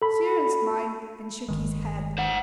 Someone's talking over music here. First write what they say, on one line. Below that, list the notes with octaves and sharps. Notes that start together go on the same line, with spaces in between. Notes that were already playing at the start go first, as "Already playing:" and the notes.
Cyril smiled, and shook his head.
A4 B5
G1 D#3 G#3
C5 F#5